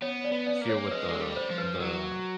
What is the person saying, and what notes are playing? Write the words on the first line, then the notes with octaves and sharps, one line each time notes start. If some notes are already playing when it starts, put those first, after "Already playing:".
here with the the
B3 C#5
D5
B3
D5
A#3
C#5
G#3 B4
A4
A#4
G3
C5
F3
B4
F#3 A#4